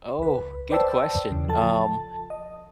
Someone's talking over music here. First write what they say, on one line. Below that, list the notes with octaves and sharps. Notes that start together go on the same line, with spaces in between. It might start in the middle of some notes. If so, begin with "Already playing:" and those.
Oh, good question, um,
C#2 B4
B4 C5 D5 G5 A5 E6
E2 C#3
F3 A4 A5
D#5